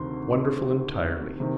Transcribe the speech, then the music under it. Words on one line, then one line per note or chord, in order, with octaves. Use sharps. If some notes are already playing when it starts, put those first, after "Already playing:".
Wonderful entirely.
Already playing: D2 C3 D#3 C6
C3 D#3